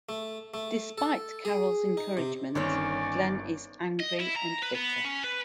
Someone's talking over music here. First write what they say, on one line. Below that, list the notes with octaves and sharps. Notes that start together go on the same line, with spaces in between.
Despite Carol's encouragement, Glenn is angry and bitter.
A3
A3
A4
G#4
D#4
C3
G1 D#3 C4 C#4 C#5 D5
D#5
E4
A#5
B4
B3
C#4
B4